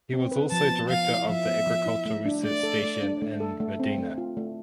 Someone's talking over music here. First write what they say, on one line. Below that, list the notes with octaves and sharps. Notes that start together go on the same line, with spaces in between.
He was also director of the agricultural research station in Modena.
C4
B4
F3 A5
B3
F3 F5
E4
F3 E5
B3
F3
E4
A3
D4
A3 D5
A4
A3
D4
A3
A4
A3
C4
A3
F4
A3